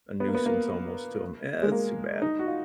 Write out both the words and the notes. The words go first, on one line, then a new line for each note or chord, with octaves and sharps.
a nuisance almost to him. Eh, that’s too bad.
B3
A#3
B3
A#3
G#3
A#3
D#4
F#4
F4